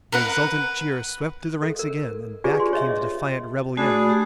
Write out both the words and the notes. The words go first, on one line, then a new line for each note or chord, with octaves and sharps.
The exultant cheer swept through the ranks again, and back came the defiant rebel yell.
A#4 B4 F#5
A4
A#4
D4 F4 G4 G#4 B4 D5
C6
C#5 D#5 E5
A3 D4 F#4 G#4 B5
G4